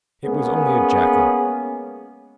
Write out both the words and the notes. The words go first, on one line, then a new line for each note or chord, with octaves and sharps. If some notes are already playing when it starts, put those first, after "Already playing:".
It was only a jackal.'
G#3 A#3 B3 C#4 G#4